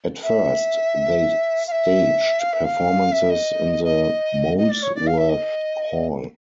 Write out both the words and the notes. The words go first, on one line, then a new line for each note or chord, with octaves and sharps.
At first, they staged performances in the Molesworth Hall.
E5
F5
E5
F5
E5
F5
E5
D#5
D#5
D#5
D5
C#5
D5
F5
E5
D#5